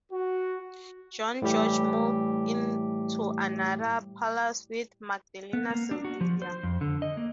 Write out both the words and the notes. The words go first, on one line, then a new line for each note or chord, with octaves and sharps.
John George moved into another palace with Magdalena Sybilla.
F#4
A2 E3 G3 G4
B3
A#3
D4
F#4
F3
C5
F2
D3
D#5
A#3